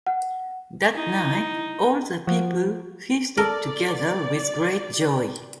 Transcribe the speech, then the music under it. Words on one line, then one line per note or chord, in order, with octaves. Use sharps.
That night, all the people feasted together with great joy.
F#5
D#4 E4
F3 F#4
A4 A#4 D5